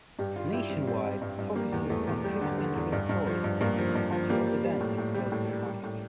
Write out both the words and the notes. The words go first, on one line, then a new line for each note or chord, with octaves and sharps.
"Nationwide" focuses on human interest stories and cultural events across the country.
G2 G4
G3 F4
G3 E4
G3 C4
G3 C4
G3
G2
G2
G3 A#3
E2
E2 A3
E2
G3
D3
D3
E2
G2
G2
F3
G2
G2 A#3
F3
G2
F3
G3 A#3
G3
G3
A2
A2
G3
A2
G3
G3
A2